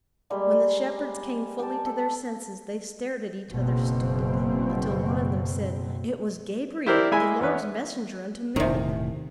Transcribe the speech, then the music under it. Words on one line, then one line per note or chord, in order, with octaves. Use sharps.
When the shepherds came fully to their senses, they stared at each other stupidly, until one of them said, "It was Gabriel, the Lord's messenger unto men."
G3 G#3 A#3
G4 A5
A4
F#1 B2 C4
E4 G4 A#4 C5 D5
G#3 E4 E5 G#5 B5
E2 C#4 B4
E1 A2 C3 D#3